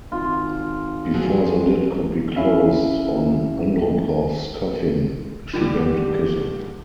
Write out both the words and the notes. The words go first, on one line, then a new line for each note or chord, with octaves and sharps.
Before the lid could be closed on Andropov's coffin, she bent to kiss him.
G#1 F4
F3 F#3 G#4
C#4 E4 E5 F5
G2 D3 D#3 F4 G4 D5 G5